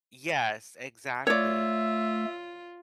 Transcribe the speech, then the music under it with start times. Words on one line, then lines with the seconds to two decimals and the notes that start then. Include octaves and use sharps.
Yes. Exactly.
1.27 A3 F4 C#5 D5 E5